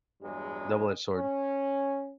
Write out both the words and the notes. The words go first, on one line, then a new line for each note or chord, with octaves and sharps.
double-edged sword.
E2 G2 F#3 G#3
C#4